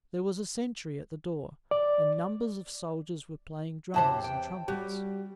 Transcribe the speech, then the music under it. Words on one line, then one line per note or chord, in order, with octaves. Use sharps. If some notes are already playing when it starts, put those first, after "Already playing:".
There was a sentry at the door, and numbers of soldiers were playing drums and trumpets.
D5
E2 C3 E4 F#4 C5 A5
G5
G3 F#4